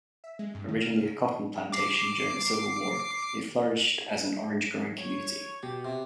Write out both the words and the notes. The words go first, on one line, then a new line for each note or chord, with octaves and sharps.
Originally a cotton plantation during the Civil War, it flourished as an orange-growing community.
E5
G#3
G2
D#3
F6
C#3
D6 C7
C#5
B2 G4
C3